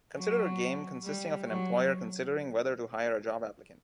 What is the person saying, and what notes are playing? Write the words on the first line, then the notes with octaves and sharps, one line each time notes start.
Consider a game consisting of an employer considering whether to hire a job applicant.
F#3
G3
F#3